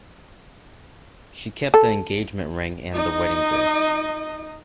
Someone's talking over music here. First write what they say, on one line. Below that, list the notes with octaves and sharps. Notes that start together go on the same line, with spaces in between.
She kept the engagement ring and the wedding dress.
A4
D#4 D#5